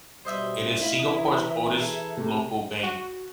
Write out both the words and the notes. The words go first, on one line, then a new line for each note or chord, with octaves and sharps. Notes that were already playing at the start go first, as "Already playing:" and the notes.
It is Singapore's oldest local bank.
B2 G3 C5 D#5 E5
A3 E4 D#5 F5
E3 D#5 A#5
G#4 A4
C3 A3
F#4